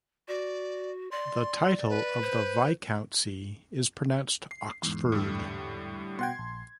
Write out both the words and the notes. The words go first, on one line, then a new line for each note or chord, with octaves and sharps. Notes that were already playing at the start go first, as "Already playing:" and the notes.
The title of the Viscountcy is pronounced "Oxfurd".
F#4 D5
D5 C6
B4
C5
C7
E2 G#2
A2 D3 G3
B2 F#5 G5 C6 G#6
A#1